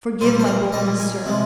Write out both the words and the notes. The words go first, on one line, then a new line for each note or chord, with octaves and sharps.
Forgive my boldness, sir.
A#2 G3 A#3 C5
C5
A#4
A#2 G3 A#3 D#5
G#5
C3 F3 G#3